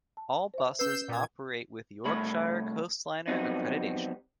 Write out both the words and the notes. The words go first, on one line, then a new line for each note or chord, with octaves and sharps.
All buses operate with Yorkshire Coastliner accreditation.
A5
C5 E5
C#4 B4 E6 G6 C7
A#2 G#6
C2 A3 C#5 B5
F2 F#3 G3 B3 C4 D#4